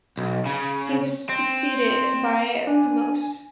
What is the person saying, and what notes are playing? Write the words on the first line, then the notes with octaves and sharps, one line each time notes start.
He was succeeded by Kamose.
B1
C#3
C4
D4 G#5